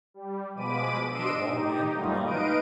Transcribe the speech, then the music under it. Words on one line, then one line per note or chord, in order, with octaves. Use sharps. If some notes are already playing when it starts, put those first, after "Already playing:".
"He, of all men, blind!"
G3
B2 F3 G#3 B5 D6 D#7
D4 D#5 C6 E6 D7 D#7
D#4 G4
F#3 G3 A3 A#3 D#4 F4
D#4 B4 D#5 F5 D7 D#7